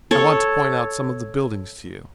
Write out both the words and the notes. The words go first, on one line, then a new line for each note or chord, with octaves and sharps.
"I want to point out some of the buildings to you."
A4 C#5